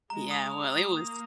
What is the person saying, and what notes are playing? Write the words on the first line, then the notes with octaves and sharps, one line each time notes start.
Yeah, well, it was
G#3 A#5
D#6
F7
D#6
A#3 D#6